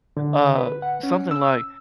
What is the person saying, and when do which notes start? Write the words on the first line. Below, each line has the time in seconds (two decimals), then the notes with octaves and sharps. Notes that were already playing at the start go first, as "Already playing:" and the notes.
uh, something like,
0.17 D3
0.58 B4
0.82 F#5
1.03 C#4
1.31 E6